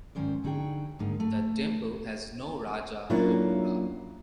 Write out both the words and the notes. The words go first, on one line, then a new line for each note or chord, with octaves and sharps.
The temple has no raja gopura.
G#2 D#3 C#4 C5 D5
D3 D#4 F#4 G#4 G5
D#2 G#2 D3 A#3 D#4
A3
F#3 A#3 C#4 D4 E4 F4